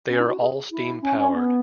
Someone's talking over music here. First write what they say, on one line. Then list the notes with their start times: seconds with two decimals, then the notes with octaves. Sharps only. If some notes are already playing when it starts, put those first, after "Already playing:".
They are all steam powered.
0.09 C#4
0.19 E4
0.29 F#4
0.40 G#4
0.71 E4
1.01 C#4
1.16 C#4
1.33 B3